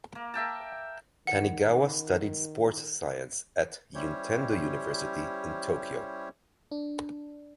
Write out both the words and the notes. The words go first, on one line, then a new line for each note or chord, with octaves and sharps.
Tanigawa studied sports science at Juntendo University in Tokyo.
A#3
A#4 E5 G5 A5
D#3 F#5
G3 C#4 E4 G4 C5 C#5
D4